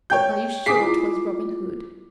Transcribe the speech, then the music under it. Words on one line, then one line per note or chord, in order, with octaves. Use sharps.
"Are you sure 'twas Robin Hood?"
C#5 G5 G6
G#4 G#5 D6 D#6 B6 C7
E4 F4